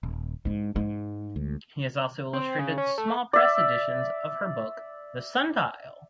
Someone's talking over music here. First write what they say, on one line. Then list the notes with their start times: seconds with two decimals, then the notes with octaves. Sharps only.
He has also illustrated small press editions of her book "The Sundial".
0.03 D#1
0.45 G#2 G#3 D4
0.76 G#2 G#3
1.36 D2
2.33 C4
2.59 C#3
2.78 C#4
2.98 A3
3.33 D5 E5